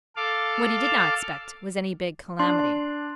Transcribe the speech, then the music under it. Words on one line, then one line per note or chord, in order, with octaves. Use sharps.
What he did not expect was any big calamity.
A4 F5 D6
D4 C6